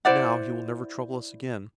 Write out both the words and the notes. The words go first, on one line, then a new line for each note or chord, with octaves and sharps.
Now he will never trouble us again.
E4 C5 D5 F#5